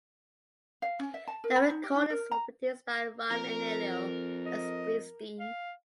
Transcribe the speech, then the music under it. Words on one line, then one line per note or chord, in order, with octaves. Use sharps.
The recordings were produced by Ron Aniello and Springsteen.
F5
C#4
E5
A5
A#4
B5
D#4
G4
D#4
A#4
A#5
F2 A#4
D#5
F5